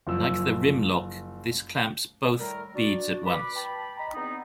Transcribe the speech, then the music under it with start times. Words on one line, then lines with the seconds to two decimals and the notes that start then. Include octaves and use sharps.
Like the rim lock, this clamps both beads at once.
0.07 F#1 F3 E6
2.38 A2 D#3 G3 A3 A4 A#4
2.74 D4 F#4 D5
3.25 B4 B5 D6
3.55 G5 A5 B5
3.98 D#5 G5 A#5 B5
4.14 E2 B3 C4 D#4